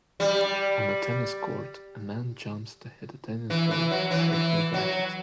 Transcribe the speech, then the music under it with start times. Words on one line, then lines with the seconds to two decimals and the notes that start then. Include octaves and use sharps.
On a tennis court, a man jumps to hit a tennis ball with his racket.
0.20 G3
3.50 E3
3.71 E3
3.91 F#3
4.11 E3
4.33 E3
4.74 F#3